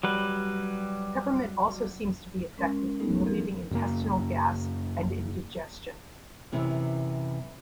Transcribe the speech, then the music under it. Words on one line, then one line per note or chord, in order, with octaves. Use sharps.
Peppermint also seems to be effective in relieving intestinal gas and indigestion.
F#3 G3 B4
G#3 C#4 A#4 C6
G3 A3 B3 D#4 G4 A4
E3 F3 C4 A4 A#4
F#2 C#3 A#3
F#2 C3 E3